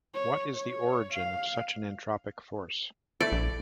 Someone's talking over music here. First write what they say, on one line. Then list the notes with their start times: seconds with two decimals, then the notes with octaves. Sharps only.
What is the origin of such an entropic force?
0.14 C#5
0.55 C#5
1.12 F5
3.21 A3 E4 A4 D5
3.32 A#1